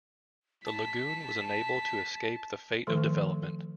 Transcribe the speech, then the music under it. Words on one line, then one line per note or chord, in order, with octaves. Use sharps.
The lagoon was unable to escape the fate of development.
A5 B6
D#3 F3 A3 A4